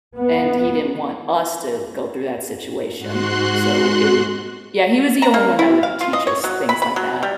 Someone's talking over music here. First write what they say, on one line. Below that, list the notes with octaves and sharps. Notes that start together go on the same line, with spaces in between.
And he didn't want us to go through that situation, so it would Yeah, he was the only one that would teach us things like that.
B3
G#2 F#4 C6 F#6
A#5
A#3
E4
F5
F4
D#5
C#5
F#3
B5
B5
F#3
G3